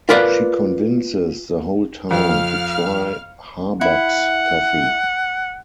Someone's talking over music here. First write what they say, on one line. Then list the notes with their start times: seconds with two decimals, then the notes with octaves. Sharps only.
She convinces the whole town to try Harbucks Coffee.
0.09 F4 A#4 B4 D5 F#5
2.11 F2 F5 F6
3.81 E4 F#5